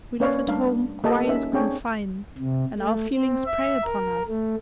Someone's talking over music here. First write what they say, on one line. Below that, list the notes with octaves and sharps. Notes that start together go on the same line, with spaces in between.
We live at home, quiet, confined, and our feelings prey upon us.
A#3 C#4 B4 C#5 D5 F5
G3 A3 D4 F5
A#3 G4 A4 D#5 F5 A5
C#4 D#4 E5
C4 D4 G#4 C#5 G5
C3
A3
C4
E5
A#4
A3